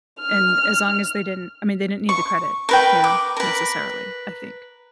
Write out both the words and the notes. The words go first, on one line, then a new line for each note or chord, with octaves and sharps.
And as long as they didn't I mean, they didn't need the credit, you know, necessarily, I think.
F6
C#6
A#4 B4 G5
D6
A#4 B4